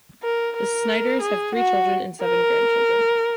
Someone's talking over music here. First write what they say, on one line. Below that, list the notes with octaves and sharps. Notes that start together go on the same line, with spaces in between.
The Snyders have three children and seven grandchildren.
A#4
A#4
G#4
F#4
A#4